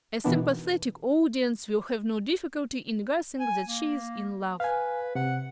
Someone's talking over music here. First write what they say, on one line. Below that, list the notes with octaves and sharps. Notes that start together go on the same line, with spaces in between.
A sympathetic audience will have no difficulty in guessing that she is in love.
B2 D#3 E3 B3 D4
G#5
A#3
B4 F5 G#5
C3 F#5